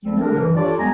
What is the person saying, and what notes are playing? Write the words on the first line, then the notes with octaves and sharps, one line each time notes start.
You know we are old friends.
D2 F3 G3 C4
D4 A#4
E3
D4 F4 G4 A4 C#5 D5
G3 G#3 B3 G#5 A#5